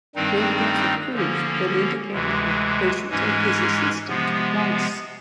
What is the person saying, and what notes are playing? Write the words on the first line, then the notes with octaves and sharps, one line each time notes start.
Burgdorf approved but indicated that they should take his assistant, Weiss.
G2 D#3 G3 C4 D#4
D3 F3 A#3 C#4
D2 C3 E3 G#3
G#2 E3 G#3 C#4
C3 F3 G#3 B3